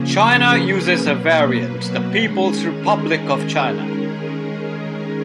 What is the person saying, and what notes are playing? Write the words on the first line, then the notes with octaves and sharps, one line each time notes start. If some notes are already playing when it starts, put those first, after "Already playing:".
China uses a variant, "The People's Republic of China".
Already playing: C#3 F3 A#3 C#4 G#4
A#4
B4
B2 F#3 A#3
F#4
D#3 G#3 C#4 G#4
A#4